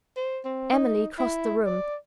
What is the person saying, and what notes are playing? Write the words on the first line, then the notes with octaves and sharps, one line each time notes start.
Emily crossed the room.
C5
C4
D#4
E4
D5